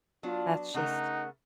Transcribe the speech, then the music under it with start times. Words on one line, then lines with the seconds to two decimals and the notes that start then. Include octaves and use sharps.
that's just
0.23 F#3 B3 D4 F4
0.74 C#3 A3 D#4 A#4 F#5